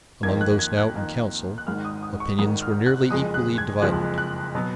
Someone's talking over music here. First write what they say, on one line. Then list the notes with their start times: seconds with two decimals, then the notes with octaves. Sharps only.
Among those now in council opinions were nearly equally divided.
0.23 F2 D#3 A#3 G#6
0.41 F#6
0.59 G#6
0.77 F#6
0.95 F2 D#3 A#3
1.58 F#6
1.66 G#1 G#2 D#3 F6
1.85 D#6
2.03 D#6
2.20 C#6
2.38 G#1 G#2 D#3 D#6
2.62 F6
2.86 F#6
3.10 F#1 F2 F3 G#3 D#6
3.34 F#6
3.58 G#6
3.82 F#1 F2 F3 G#3 F#6
4.18 F#6
4.55 B2 F#3 B3